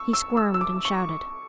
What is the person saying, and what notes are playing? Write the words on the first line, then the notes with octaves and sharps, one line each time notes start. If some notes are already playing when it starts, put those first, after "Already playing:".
He squirmed and shouted.
Already playing: C#6 E6
E6
E6
E6
D6
C#6